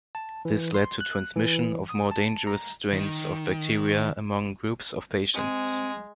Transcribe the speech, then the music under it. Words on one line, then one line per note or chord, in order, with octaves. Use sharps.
This led to transmission of more dangerous strains of bacteria among groups of patients.
A5
E3
C6
F#6
E3
D#6
A5
A#5
D#3
G#3 C4